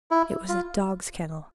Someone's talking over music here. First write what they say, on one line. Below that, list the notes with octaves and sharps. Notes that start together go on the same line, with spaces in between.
It was a dog's kennel.
E4
F4